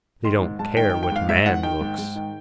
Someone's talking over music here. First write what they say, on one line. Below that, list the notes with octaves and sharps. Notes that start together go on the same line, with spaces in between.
They don't care what man looks.
D#3 C6
G#2
G#2 A5
D#3 G5
G5
D#3
G5
G#2 F5
G#2 E5
D#3 F#5
D#3 G5
G#2
G#2
D#3